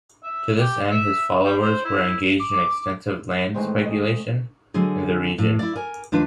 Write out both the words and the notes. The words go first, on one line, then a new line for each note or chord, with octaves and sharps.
To this end, his followers were engaged in extensive land speculation in the region.
E5
G4
E5
G3
C5
E4
D6
A2 D#3 E3 G#3 C4
D#5
D3 F#3 G#3 G#4
A2
E4 D5
A#4 G#5
D#2 D4 F4 B4